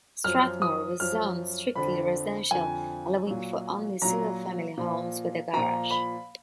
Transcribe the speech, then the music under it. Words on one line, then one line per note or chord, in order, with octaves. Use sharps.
Strathmore was zoned strictly residential, allowing for only single-family homes with a garage.
F#2 F3 F6
D#6
F#2 F3 F6
F2 D3 F3 B5
F2 D3 F3 G#5
A#2 F#3
A#2 F#3 A#5
A#2 F3
A#2 F3 A#5
B5